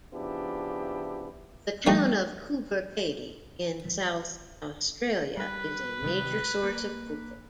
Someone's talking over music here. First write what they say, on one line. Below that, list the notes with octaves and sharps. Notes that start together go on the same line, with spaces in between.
The town of Coober Pedy in South Australia is a major source of opal.
C#3 F3 B3 D4 E4 G4
G3 A3 D#4
G3 B4
C3 D#3 G3
A#3